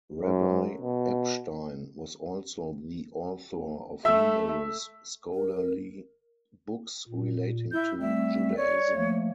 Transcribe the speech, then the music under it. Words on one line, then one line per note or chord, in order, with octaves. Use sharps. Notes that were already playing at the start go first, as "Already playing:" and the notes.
Rabbi Epstein was also the author of numerous scholarly books relating to Judaism.
F#2
B2
A3 E5 E6
A#4
A#2
E4 G6
G3 A3 C4 E5
C#5 D5
F3 A3 A#3